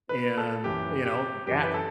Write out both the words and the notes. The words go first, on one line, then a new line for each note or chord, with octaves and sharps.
and, you know, ga
B4
A4
F#2 E3 G4
G4
F#2 E3 G4
B4
A4